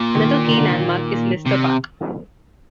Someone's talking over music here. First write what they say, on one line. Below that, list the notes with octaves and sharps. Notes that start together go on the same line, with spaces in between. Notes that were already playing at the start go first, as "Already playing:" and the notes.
Another key landmark is Lister Park.
Already playing: A#2
D#3
D#3
D3
D#3
C3